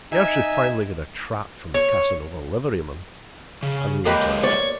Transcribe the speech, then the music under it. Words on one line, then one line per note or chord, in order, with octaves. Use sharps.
Gertrude finally got a trap from the Casanova liveryman, and we went out.
D#4 E5 G#5
C#5
C#3
F#3 G#3 A#3 G4 B4 D#5
C#5 D5